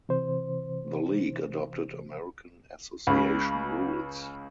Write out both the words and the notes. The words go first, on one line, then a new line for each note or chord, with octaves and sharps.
The league adopted American Association rules.
C3 E3 C5
C#2 C#3